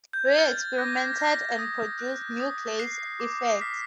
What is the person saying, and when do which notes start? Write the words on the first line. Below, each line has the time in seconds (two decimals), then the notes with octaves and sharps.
Rie experimented and produced new glaze effects.
0.13 G6
0.25 G#6
0.38 F6 A6
0.78 D6 A#6
1.13 B6
1.18 G6 A#6
1.59 D#6
1.99 F#6
2.40 D#6
2.80 F#6 C7
3.20 D6
3.61 F6 B6